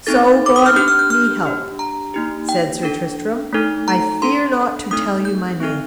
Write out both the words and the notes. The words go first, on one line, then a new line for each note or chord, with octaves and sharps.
So God me help, said Sir Tristram, I fear not to tell you my name.
C4 D#4 A4 A6
D6
D#6
F6
D4 G4 G6
F6
G6
F6
D4 G4
A#5
A#3 D#4 G4
G5
D4 A4
A3 D#4 A4
A#5
D4 A4 C6
A3 C4 D#4 A4 D#6
G6
C4 D#4 A4